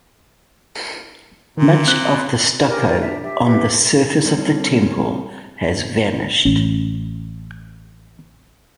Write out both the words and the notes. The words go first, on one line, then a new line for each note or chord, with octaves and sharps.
Much of the stucco on the surface of the temple has vanished.
A#2 D3 D#3
C4 F#6
G4 A#4 G#5
A#4 D5 A#5
D4 E5
G4 E5
G4 B4 E5
G3 C4 C#4 A4
A1 C#4